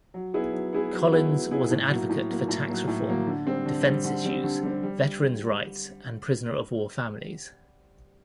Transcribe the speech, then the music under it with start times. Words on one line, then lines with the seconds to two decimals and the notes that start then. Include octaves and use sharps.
Collins was an advocate for tax reform, defense issues, veterans rights and prisoner-of-war families.
0.14 F#3
0.34 B3 E4 G#4
0.53 F#3
0.73 B3 E4 G#4
0.92 F#3
1.11 B3 E4 G#4
1.32 F#3
1.51 B3 E4 G#4
1.71 A2
1.89 F#3 A#3
2.10 A2
2.29 F#3 A#3
2.48 A2
2.68 F#3 A#3
2.88 A2
3.07 F#3 A#3
3.27 D3
3.46 G3 C4
3.66 D3
3.85 G3 C4
4.04 D3
4.25 G3 C4
4.44 D3
4.63 G3 C4
4.83 G3